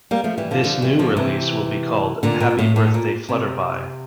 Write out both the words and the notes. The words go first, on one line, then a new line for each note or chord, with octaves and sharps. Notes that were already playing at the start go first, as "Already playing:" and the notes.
This new release will be called "Happy Birthday Flutterby".
G3 A#3
F3 A3
E3 G3
D3 F3
D3 F3
E3 G3
D3 F3
C3 E3
A#2 D3
A#2
A2
A2
A#2
C3